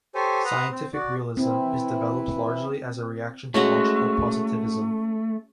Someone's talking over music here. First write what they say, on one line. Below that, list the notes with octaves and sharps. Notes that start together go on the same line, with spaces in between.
Scientific realism is developed largely as a reaction to logical positivism.
G4 A4 C5 C#5 G#5
B4 F#5 A#5 C6 D#6
C4
F#4 D5
E3 C4 E4
G#3 A3 C#4 F#4